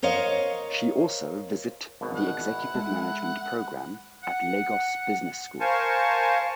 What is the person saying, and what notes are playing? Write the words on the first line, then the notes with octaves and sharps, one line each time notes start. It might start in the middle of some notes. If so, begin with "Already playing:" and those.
She also visit the Executive Management Programme at Lagos Business School.
A#4 C5 C#5 D#5 F5
G#1 B2
F#5
E4
G#3 A4
F#5
A#4 C5 F5 G#5 A5 C#6